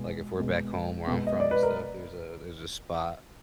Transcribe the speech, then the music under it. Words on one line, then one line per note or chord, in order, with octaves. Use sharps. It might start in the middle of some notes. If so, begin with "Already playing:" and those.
like, if we're back home where I'm from and stuff, there's a there's a spot,
Already playing: B2 G#3
B2 G#3
B2 G#3
D#5
D5
B4
A#4